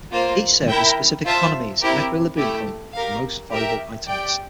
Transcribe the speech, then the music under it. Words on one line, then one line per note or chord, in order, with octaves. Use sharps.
Each server has specific economies and equilibrium point for most valuable items.
A#3 F4 C5
E4 A#4 E5 G5
F4 C5 E5 A5
C4 E4 G4 A#4
A3 E4 G4
G4 A#4 F5
G4 A#4 E5 G5
G4 D5 G5